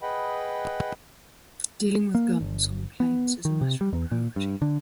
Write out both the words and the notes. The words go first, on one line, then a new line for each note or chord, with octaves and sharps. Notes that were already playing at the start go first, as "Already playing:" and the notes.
Dealing with guns on planes is matter of priority.
G#4 B4 D#5 F#5 G5 B5
A#3
G1
B3
D#3
C3
G3
E2
A#2
G2
D3